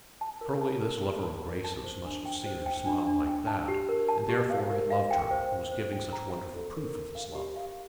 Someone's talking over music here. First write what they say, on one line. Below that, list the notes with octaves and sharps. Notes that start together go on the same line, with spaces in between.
Surely this lover of Grace's must have seen her smile like that, and therefore had loved her and was giving such wonderful proof of his love.
A5
A#4
A5
A#4
A5
A5
A#4
A5
C5
D4
G5
C5
G5
D4
D4
G5
A5
G4
A#4
A5
G4
F5
A#4
F5
G5
C5
C5
C5
G5
A#5
C5
A4
A#4
A#4
F5
G4
F5